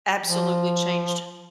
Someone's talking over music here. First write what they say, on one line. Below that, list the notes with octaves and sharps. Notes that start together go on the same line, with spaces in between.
absolutely changed
F3